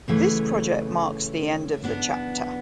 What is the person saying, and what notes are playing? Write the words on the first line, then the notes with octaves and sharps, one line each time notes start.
This project marks the end of the chapter.
F#2 C#3 E3 A3 C#4
B3 D4